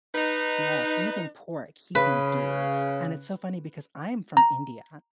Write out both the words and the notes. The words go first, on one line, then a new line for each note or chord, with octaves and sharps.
Yes, anything pork he can do, and it's so funny because I'm from India I
D#4 B4
C#3 B4
A#5